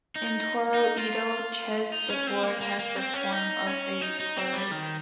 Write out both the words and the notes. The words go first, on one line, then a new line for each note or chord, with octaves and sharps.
In Toroidal chess the board has the form of a torus.
D#4
D#4
F4
D#4
C#4
C4
A#3
A#3
A#3
C4
C#4
D#4
C#4
D#4
D#4
C4
G3
D#3